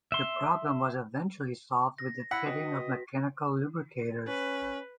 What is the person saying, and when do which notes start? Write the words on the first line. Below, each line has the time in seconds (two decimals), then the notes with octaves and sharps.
The problem was eventually solved with the fitting of mechanical lubricators.
0.12 E5 C6
1.98 A#6
2.31 E4 F#5 B6
2.46 F#4 B4 D#5 G5
4.27 C#4 B4